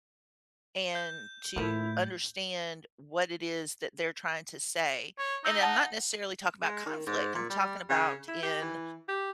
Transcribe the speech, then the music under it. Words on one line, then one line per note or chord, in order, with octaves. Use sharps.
and to understand what it is that they're trying to say. And I'm not necessarily talking about conflict, I'm talking about in,
G6
A2 F3 A3 A#3 E4
C#5
D#4 E6 G6
F#5 A5
G#3
D#3
G#2
A#2
G3
C#3
E4
G4
E3
G4